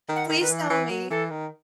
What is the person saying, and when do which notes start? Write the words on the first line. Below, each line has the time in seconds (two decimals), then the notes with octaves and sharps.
Please tell me.
0.09 D#3
0.16 F#5
0.29 D#3
0.40 D#3 B4
0.49 E3
0.70 E3 B4
0.90 F#3
1.11 E3 A4
1.30 D#3